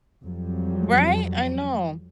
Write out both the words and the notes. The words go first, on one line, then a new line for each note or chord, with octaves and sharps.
Right, I know.
F2 F#3 G3